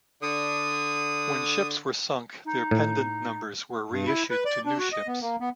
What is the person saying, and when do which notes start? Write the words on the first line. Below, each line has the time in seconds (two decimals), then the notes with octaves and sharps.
When ships were sunk, their pendant numbers were reissued to new ships.
0.22 D3 D4 D#6
2.45 D#4
2.71 A2
3.91 G2
4.07 E4
4.30 B4
4.45 D5
4.66 D4
4.79 F#4
4.92 D#5
5.07 B3
5.22 A#3
5.40 B3